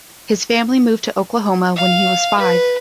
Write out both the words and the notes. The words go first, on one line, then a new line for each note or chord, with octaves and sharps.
His family moved to Oklahoma when he was five.
F5
B4